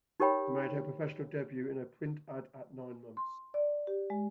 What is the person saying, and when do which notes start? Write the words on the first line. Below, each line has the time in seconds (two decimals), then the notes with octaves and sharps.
She made her professional debut in a print ad at nine months.
0.20 D#4 G4 A#4 C#5 G5 B5
3.17 C6
3.54 D5
3.87 G4
4.10 G#3